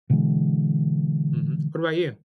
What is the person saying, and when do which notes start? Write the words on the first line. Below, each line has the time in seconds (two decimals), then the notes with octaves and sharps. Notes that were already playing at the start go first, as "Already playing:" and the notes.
Mhm. What about you?
0.10 B2 D3 E3 G#3